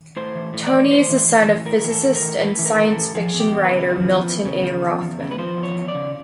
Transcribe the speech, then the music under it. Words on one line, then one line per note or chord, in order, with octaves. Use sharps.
Tony is the son of physicist and science fiction writer Milton A. Rothman.
A2 C5
E3
A2
D5
E3
A2 C5
E3
A2
E3
A2 A#4
E3
A4
A2
A#4
E3
A2 B4
E3
A#4
A2
A4
E3
F3 G#4
E2
G4
E2
B4
C#3
F3
E2
E2
C#3
F3
E2
E2
C#3
B4
F3 C5
E2
C#5
E2
D5
C#3